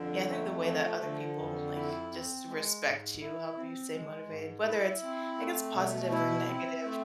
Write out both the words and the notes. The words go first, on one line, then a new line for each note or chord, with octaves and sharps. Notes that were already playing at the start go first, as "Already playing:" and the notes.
yeah, I think the way that other people, like just, respect you, help you stay motivated, whether it's, I guess positive or negative.
Already playing: F2 D3
A3
F3
D3
F2
E4
C4
G#3
G#2
E4
C4
G#3
G#2
E4
C4
A3
B2
E4
C4
A3